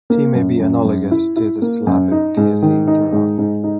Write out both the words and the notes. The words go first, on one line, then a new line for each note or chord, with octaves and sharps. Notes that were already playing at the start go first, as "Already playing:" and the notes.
He may be analogous to the Slavic deity Perun.
A#3
F#2
F#2
F#2
E4
E4
A#3
F#2
D#4
G#2
D#3
D#4
G#2
G#2
D#4